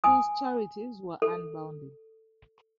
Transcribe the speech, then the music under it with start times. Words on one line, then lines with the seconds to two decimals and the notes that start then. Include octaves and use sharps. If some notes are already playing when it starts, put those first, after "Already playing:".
His charities were unbounded.
0.04 G#5 D#6
1.22 A4